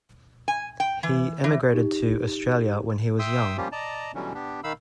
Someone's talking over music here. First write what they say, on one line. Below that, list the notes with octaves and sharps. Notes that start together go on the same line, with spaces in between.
He emigrated to Australia when he was young.
G#5
G5
E3
E3
D#4 G4
E5 G5 C6 D#6 E6
F3 G3 A#3 C#4 F4 G4
D5 D#5 A5 A#5
B2 D3 E3 F#3 G3 C#4
B3 D4 G4
D#3 D#4 F5 B5 E6